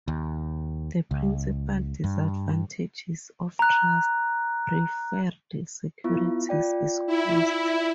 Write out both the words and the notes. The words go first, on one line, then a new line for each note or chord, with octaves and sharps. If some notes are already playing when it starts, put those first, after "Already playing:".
The principal disadvantages of trust preferred securities is cost.
D#2
C#2
G2
A#5 F#6
B3 E4 F4
F4 D5 G5
E4